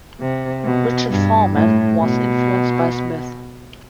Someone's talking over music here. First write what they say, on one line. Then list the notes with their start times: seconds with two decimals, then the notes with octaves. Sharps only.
Richard Foreman was influenced by Smith.
0.20 C3
0.65 B2
1.10 G2
1.54 A2
2.00 B2